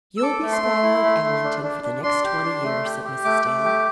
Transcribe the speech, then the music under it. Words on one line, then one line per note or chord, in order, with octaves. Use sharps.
"You'll be squire of Allington for the next twenty years," said Mrs. Dale.
E6
A4 D6
A3
C6
A3
E4
A3
A3
D4
D4
D4
D4 C6
G4
D4
A3
G4
G4
A3 D6
A3
G4